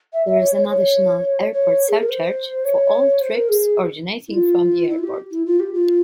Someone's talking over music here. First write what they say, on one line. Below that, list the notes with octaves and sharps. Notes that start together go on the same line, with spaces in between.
There is an additional airport surcharge for all trips originating from the airport.
E5
E5
C#5
C#5
C5
C#5
C#5
G#4
A#4
C5
C#5
C5
A#4
G#4
E4
F4
E4
F4
G4
E4
F4
G4
F4